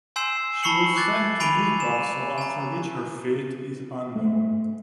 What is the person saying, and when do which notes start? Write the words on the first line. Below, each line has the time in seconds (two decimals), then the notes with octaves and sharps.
She was sent to Newcastle after which her fate is unknown.
0.16 G#5 C6 E6 G6 C7 E7
0.63 A5 B5 C#6 C7 C#7 F#7
0.96 C#6 D6 F#6 G#6 A6
1.40 G#5 B5 C#6 D7 D#7 F7
1.80 E7
2.38 G#5 A#5
4.16 A3